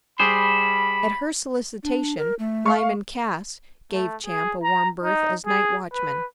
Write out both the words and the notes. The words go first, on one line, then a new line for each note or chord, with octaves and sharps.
At her solicitation Lyman Cass gave Champ a warm berth as night watchman.
G3 G#4 C5 B5
D4
A#4
A3
F5 C#6
A3
G#4
A#5
D#4
G#4
B4